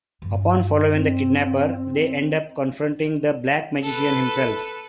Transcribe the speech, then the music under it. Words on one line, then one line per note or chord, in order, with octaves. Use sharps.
Upon following the kidnapper, they end up confronting the black magician himself.
G2 G3
C4
A4 B4